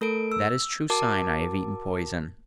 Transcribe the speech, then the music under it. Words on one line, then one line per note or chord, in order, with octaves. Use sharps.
That is true sign I have eaten poison....
A3 A4 A#4 D7
E6
F#4 A#4 A5 D6